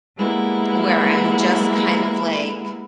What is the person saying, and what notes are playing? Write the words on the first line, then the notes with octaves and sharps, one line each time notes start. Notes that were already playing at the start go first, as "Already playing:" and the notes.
where I'm just kind of, like
G3 G#3 A#3 B3 E4